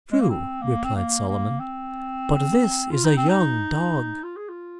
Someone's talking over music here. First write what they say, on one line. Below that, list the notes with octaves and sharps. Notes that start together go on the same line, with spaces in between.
"True," replied Solomon, "but this is a young dog."
G#3
A#3
C4
A#3
C4
A#3
A#3
C4
F4
D#4
C4
D#4
F4
G#4
F4